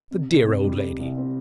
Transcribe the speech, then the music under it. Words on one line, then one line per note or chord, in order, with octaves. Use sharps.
The dear old lady!
C3
C2
C4
G3
C3
C2
C4